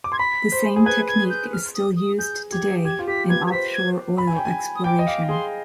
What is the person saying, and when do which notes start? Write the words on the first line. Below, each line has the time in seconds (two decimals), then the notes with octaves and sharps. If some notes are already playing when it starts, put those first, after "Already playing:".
The same technique is still used today in offshore oil exploration.
0.04 D6
0.12 C6 G#6
0.19 B5 B6
0.52 C5
0.76 G#4
0.85 B4 G#6
1.08 G#6
1.30 G6
1.53 F6
1.74 D#6
1.97 D#6
2.19 G#4 G6
2.52 G4 G#6
2.85 G4 G#6
2.99 F4
3.07 G4 B6
3.29 B4 G#6
3.47 G#6
3.52 C5 B6
3.74 G#6
4.18 B5
4.27 G#5
4.36 G5
4.45 G#5
4.75 D#6
4.84 G5 D6
4.99 D#5
5.07 F5 D6
5.29 G#4 C6